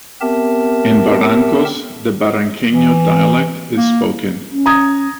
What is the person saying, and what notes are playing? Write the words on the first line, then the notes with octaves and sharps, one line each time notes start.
In Barrancos the Barranquenho dialect is spoken.
B3 C4 G4 A#4 E5 A5
E3
A#3
C#4
A#5 D#6 G#6